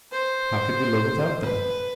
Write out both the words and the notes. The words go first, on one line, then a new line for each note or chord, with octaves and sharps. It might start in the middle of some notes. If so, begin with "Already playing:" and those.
How could we live without them?
C5
B4